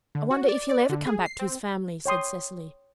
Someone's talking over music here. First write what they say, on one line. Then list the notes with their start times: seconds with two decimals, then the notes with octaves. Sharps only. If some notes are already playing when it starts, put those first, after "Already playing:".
"I wonder if he'll ever come back to his family," said Cecily.
0.15 D3
0.31 F#4
0.49 D5
0.69 D5
0.89 D3
1.07 G#4
1.26 C7
1.39 C4
2.06 C#5 G5 C6 D#6